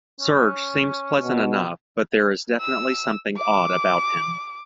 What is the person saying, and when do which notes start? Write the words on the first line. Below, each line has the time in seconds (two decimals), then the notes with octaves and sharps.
Serge seems pleasant enough, but there is definitely something odd about him.
0.20 C#4
1.23 B2
2.61 E6
3.37 D6